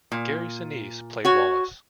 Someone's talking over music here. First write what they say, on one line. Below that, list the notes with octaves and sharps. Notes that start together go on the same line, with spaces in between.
Gary Sinise played Wallace.
A#2
F#4 C#5